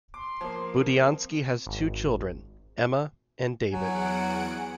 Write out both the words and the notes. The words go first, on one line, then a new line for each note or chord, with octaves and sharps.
Budiansky has two children: Emma and David.
C6 D6
F3 A#3
C4
G#1
E2 F#3 F#5 G#5 D7